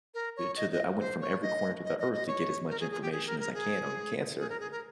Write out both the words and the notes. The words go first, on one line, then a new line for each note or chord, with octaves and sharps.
to the I went from every corner to the earth to get as much information as I can on cancer,
A#4
C#5
D#5
D#5
C5
C#5
D#5
D#5
D#5
D#5
C#5
A#4
G#4
G#4
G4
G#4
A#4
A#4
G#4
G#4
A#4
G#4
A#4